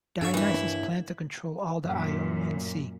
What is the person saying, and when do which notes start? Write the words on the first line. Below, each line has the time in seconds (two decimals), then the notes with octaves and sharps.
Dionysius planned to control all the Ionian Sea.
0.21 G2 D4 A4 F5 C#6
0.34 D#2 E3 E4
1.85 F#2 A#2